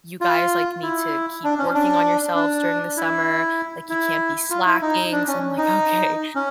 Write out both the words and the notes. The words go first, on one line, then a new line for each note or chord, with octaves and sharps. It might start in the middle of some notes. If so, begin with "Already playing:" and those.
you guys, like, need to keep working on yourselves during the summer, like, you can't be slacking." So I'm, like, "Okay."
F4
E4
D4
C#4
D4
D4
E4
E4
F4
E4
D#4
D4
C#4
D#4
C#4